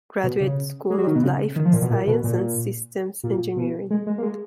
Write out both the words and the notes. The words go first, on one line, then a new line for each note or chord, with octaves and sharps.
Graduate School of Life Science and Systems Engineering.
B2
C#3
G#3
F#3
D#3
B2
C#3
D#3
F3
A#2
B2
A#2
B2
A#2
A#2
B2
G#3
G#3
A#3
G#3